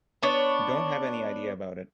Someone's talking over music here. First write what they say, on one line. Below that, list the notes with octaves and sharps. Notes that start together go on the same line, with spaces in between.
Don't have any idea about it.
B3 D4 C#5